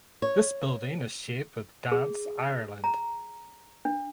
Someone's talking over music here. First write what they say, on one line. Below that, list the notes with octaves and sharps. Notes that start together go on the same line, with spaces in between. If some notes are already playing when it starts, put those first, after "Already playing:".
This building is shared with Dance Ireland.
C#5
G#4
A#5
D4